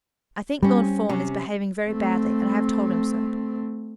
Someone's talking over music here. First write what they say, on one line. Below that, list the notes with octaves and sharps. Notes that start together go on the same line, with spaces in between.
I think Lord Fawn is behaving very badly, and I have told him so.
G3 C4 C#4
C3 C#4
A3 C4